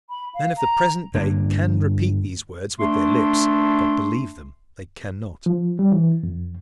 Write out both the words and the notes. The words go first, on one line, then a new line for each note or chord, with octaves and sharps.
Men of the present day can repeat these words with their lips, but believe them they cannot.
B5
F5
A#5
G2 D3 A#3 D4
A3 D4 C6
F3
G3
E3
F2